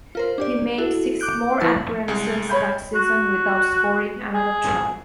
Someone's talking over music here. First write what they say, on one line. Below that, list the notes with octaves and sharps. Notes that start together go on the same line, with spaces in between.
He made six more appearances that season without scoring another try.
F4 A#4 C5
D4 G4 D5
E4 F#4 A4
D6 F#6 G6 D7
F3 E4 B4 A6
C2 G#3
C#5 B5 G6
F#4
G#4